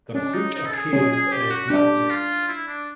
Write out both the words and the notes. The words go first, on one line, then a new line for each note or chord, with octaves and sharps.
The fruit appears as nutlets.
C#4 D4
D#4
D#4
A4
G#4
C#4 G#4
G#4
G4
F#4
D4 G4
F4
E4
D4